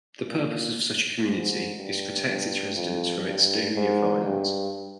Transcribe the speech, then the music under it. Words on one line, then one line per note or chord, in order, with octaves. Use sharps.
The purpose of such a community is to protect its residents from exterior violence.
A#2
G#2
G2
G2
F2
G2
G#2
G2